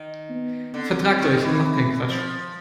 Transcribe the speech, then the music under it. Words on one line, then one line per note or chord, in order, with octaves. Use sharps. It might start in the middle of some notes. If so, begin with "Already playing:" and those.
Vertragt euch und macht keinen Quatsch.
Already playing: D#3
B3
D3 C4
D#3
E3
F3